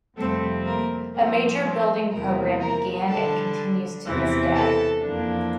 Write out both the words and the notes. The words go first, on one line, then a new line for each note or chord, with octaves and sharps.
A major building programme began and continues to this day.
F2 C3 G3 A3 C4 A4
A#3 A#4
A2 F3 A#3 C4 A#4
C4 C5
E2 C3 E3 G3 A#3 A#4 A#5
A#4 A#5
D3 G3 D4 A4 A5
E2 C3 E3
A4 A5
F2 E3 A#3 D4